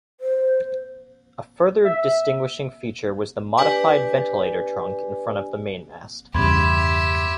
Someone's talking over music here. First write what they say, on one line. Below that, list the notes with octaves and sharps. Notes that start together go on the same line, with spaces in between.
A further distinguishing feature was the modified ventilator trunk in front of the mainmast.
C5
E5
D4 G4 B4 D5 G#5
E2 G2 C#3 G4 E5 B5 C6 G#6